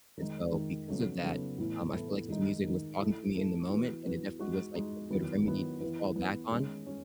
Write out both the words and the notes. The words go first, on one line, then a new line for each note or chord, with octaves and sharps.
and so because of that, um, I feel like his music was talking to me in the moment and it definitely was like a good remedy to fall back on,
D#3 G#3 D#4
D#3 G#3 D#4
C#3 F#3 B3 D#4 A4
C#3 F#3 B3 D#4 A4
A2 E3 B3 E4 A4
A2 E3 B3 E4 A4
D#3 G#3 D#4
D#3 G#3 D#4
A3 E4 A4
A3 E4 A4
E3 B3 F#4 B4
E3 B3 F#4 B4
G#3 D#4 F#4
G#3 D#4 F#4
D#3 F#3 B3 E4
D#3 F#3 B3 E4
E3 B3 E4 B4
E3 B3 E4 B4
D#3 G#3 C#4
G#3 C#4